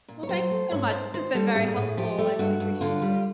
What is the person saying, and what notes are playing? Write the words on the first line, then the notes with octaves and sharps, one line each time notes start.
Well, thank you so much, this has been very helpful, I really appreciate you.
A#2
C#5
F#3 C5
A3
G#2 C#5
G#2 C5
D#3 C5
G3 A4
A2 G#4
A2
F3 G4
A3
G2 F#4
G2
D3 F4
G3